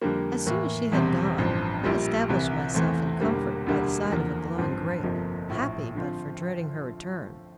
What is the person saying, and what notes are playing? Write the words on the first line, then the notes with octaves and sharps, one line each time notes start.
As soon as she had gone, I established myself in comfort by the side of a glowing grate, happy but for dreading her return.
F2 D3 G3 A#3
A2 E3 A#3
E1 E2 C3 G3 C4
A1 G2 F3 C4
A#1 A#2 G3
C2 C3 E3
E2 E3 A3 C4
E1 E2 D3 G3 A#3
E1 D2 D3 G3 A#3
E2 D3 F3 A#3
A1 G2 F3 C4
G1 F2 C3 F3 A#3
A#1 A2 F3
D3 F3 C4 F4